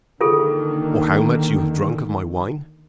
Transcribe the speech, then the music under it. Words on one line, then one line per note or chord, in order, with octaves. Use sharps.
"Or how much you have drank of my wine?"
D3 D#3 A#3 F4 G#4 A4